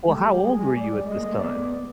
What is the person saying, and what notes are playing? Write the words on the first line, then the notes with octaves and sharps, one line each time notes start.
Well, how old were you at this time?
G#3
A3 G4
G3
G3 G#4
G#3
G3 D5
G3
G#3 D#5
A#3
A3
B3 D5
B3